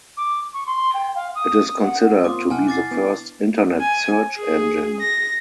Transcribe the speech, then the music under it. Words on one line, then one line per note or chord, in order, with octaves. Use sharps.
It is considered to be the first Internet search engine.
D6
C#6
C6
G5
F5
D#6
F#5
A#3 C4 F4 F5 D6 D#6
C3 E4 F#5 G#5 A5 F6
D6 A6 C7
B3 D4 E4
G#5
G#4
A#6